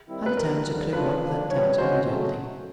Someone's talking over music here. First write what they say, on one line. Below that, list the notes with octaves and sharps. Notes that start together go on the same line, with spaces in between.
I determined to clear up that doubt immediately.
D#3 G3 C4 E4
B4
D2 C3 E3 A3 A#4
D#2 D3 G3
C#3 F#3 A3 D4 F4 B4
D3 F3 A#3 D4
E3 G3 C4 C#5
B2 G#3 C#4 F#4 C5
C#3 F#3 A3